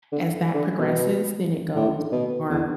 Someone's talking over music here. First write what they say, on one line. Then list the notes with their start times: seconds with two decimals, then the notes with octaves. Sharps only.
as that progresses, then it goes more,
0.12 D3
0.54 D3
0.78 B2
1.76 A2
2.12 B2
2.49 E2